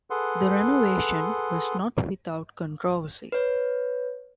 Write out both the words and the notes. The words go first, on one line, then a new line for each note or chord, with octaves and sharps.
The renovation was not without controversy.
G#4 A4 B4 F#5 C6
B4 C#5